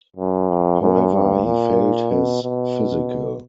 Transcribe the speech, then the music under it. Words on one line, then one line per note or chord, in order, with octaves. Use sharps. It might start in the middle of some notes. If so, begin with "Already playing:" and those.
However, he failed his physical.
F#2
F2
F#2
G2
A#2
B2
B2